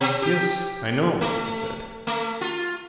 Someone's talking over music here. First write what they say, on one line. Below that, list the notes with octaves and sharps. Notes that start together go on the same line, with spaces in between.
Yes, I know, he said.
B2
G4
A3
A3
F4